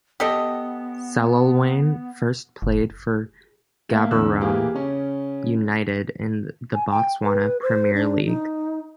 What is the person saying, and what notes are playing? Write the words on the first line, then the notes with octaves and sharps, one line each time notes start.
Selolwane first played for Gaborone United in the Botswana Premier League.
B3 G4 A4 D#5
F#1
A3 A#3 E5
E2 D3 E6 F#6
E3 A#3 G4 G#4
C#3 C#4
G#5
G5
B4
C5
D4
D#4